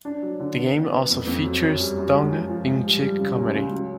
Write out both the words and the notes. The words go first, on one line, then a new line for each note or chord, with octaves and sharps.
The game also features tongue-in-cheek comedy.
D4
F#3
D3
B3
B3
B3
F2
F2
F#3
F#2
G3
F#2
G#3
F3
F3
G#2
G3
G3
C#3
C#2
C#2
F#3